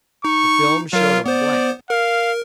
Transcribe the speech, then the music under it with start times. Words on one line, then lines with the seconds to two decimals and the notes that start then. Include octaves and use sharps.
The film showed a blank.
0.25 D#4 C#6
0.93 F#3 F4 A#4
1.26 B3 C5 D5
1.90 A#4 F5